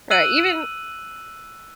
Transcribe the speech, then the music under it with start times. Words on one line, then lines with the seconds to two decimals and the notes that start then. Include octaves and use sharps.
Right, even
0.11 E6 F#6 D#7 F#7